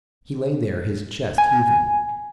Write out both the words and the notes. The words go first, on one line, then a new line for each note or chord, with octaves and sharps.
He lay there, his chest heaving.
G#5